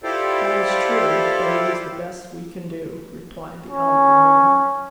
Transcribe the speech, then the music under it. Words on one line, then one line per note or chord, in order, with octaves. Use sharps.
"That is true, but it is the best we can do," replied the elder Rover.
E4 F4 G4 A4 C5 D5
C#4